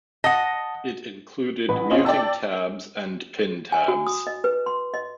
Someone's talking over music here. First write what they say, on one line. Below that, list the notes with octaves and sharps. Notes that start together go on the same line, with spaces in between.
It included muting tabs and pinned tabs.
D#5 F#5 A5 D#6 A#6
A1 B4 B5
C4 C#4 F4 D#5
D5 G5 A5 E6
G#5
F#4
D#6
D#5
B4
C6
D#5